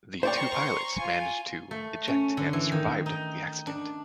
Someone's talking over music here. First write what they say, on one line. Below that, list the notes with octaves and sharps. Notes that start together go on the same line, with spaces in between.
The two pilots managed to eject and survived the accident.
C5 D5 G5 A#5 C6 C#6
F4 G#5
A3
C#4
D3
E3
D#3
D#4
D4